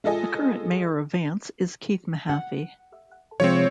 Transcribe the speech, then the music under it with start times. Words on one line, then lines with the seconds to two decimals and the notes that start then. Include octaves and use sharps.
The current mayor of Vance is Keith Mahaffey.
0.04 G#3 F4 A4 D#5 G#5
2.29 F#5
3.40 C3 F3 G#3 C4 C#5